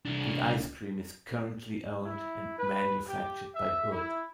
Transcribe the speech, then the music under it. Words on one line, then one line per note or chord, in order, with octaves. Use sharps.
The ice cream is currently owned and manufactured by Hood.
C2 D4
E4
B4
G4
E5
E4